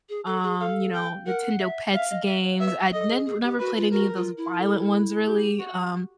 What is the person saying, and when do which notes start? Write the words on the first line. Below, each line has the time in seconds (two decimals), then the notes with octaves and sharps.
um, you know, Nintendo Pets games, I'd nin never played any of those violent ones really, um,
0.09 G#4
0.26 A4
0.43 G#4
0.60 A4 F5
0.94 G5
1.26 A#4 F#5
1.59 E5
1.93 E5 F5
2.10 D#5
2.26 E5
2.43 C#5
2.60 B4 E5
2.93 A4 D#5
3.09 G#4
3.26 G#4
3.43 G4
3.59 F#4 B4
3.77 F4
3.92 F#4 A#4
4.16 F4
4.37 E4
4.59 A4
5.27 G4
5.59 F#4